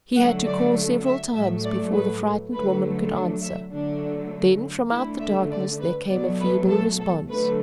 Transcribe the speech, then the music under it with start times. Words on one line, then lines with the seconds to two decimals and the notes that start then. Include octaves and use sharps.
He had to call several times before the frightened woman could answer. Then from out the darkness there came a feeble response.
0.15 D3 F#3 A3 F#5
0.45 D5
1.05 E5
1.34 A2 F#3 A3 E5
1.64 D5
1.93 B4
2.53 D3 F#3 A3 B4
3.13 D4
3.42 E5
3.71 D3 F#3 A3 D4
4.91 D3 A3 E4
5.20 E5
5.50 D5
5.80 B4
6.09 B2 F#3 A3 D5
6.39 B4
6.69 A4
6.99 A4
7.29 D3 F#3 A3 B4